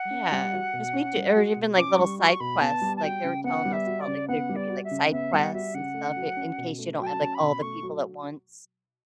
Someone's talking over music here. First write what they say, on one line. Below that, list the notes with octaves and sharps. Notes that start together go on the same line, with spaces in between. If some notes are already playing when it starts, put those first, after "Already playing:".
Yeah, 'cause we do or even, like, little side quests, like, they were telling us about, like, there could be, like, side quests and stuff in in case you don't have, like, all the people at once.
Already playing: F#5
C#4
G3
F#4
B2
C#4
G3
F#4
B2
C#4 D6
G3 C#6
F#4 C#6
B2 B5
B3 A5
G3
A5
F#4 G5
C#3
B3 F#5
G3
E5
F#4
D5
C#3
B3 F#5
G3
D5
F#4
E5
C#3
B3 E5
G3 F#5
F#4 E5
C#3 F#5
A3
F#3
C#4
B2
A3
F#3 G5
A5
C#4
B5
B2
A3 C#6
F#3